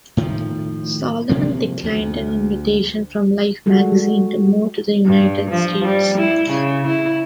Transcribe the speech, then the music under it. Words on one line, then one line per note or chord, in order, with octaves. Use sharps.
Salomon declined an invitation from "Life Magazine" to move to the United States.
A2 D#3 F3
C3 F3 A#3
D2
G3 G#3 F#4 A4
G2
F3
G3
E4
C#3
E4